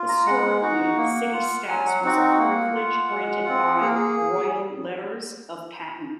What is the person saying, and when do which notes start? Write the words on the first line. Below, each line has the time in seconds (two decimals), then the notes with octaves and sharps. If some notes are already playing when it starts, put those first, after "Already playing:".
Historically, city status was a privilege granted by royal letters of patent.
Already playing: F4
0.09 A#5
0.26 G#3 F#5
0.61 D#4 F#4
0.97 A#3
1.33 F4
1.68 F#3 G#5
1.86 F#5
2.04 C4 D#4 F#4 F#5
2.21 F#5
2.39 A#3 F#5
2.75 F4
3.09 G#3
3.45 C4 F4
3.81 A#3 G#4
3.88 A#4
3.95 G#4